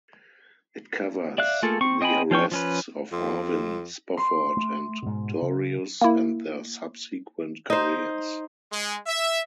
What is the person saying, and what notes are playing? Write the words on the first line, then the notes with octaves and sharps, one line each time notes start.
It covers the arrests of Arvin, Spofford, and Dorius, and their subsequent careers.
D5 E5 F5 F#6
A3 A#3 F4 G#4 A4
C4 C#6
C4 D#5 G5 G#5 B5
F3 C#4 G5 C#6
F3 C#4 B4
F2
C6
A3
G#2 B2
C#3
A#3 E4
D#4 C5
G#3
E5